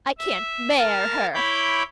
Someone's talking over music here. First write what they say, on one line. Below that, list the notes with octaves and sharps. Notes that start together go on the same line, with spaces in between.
I can't bear her.
E5
A#4 A5 F6
E4 C#5 B5 D6 G6